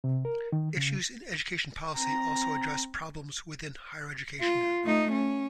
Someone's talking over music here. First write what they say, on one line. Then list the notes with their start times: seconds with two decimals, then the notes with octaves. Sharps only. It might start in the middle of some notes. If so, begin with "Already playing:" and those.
Issues in education policy also address problems within higher education.
0.04 C3
0.25 A#4
0.52 D#3
0.77 C#3
1.96 C4 A#5
4.41 F4
4.84 A3 D#4
5.12 C#4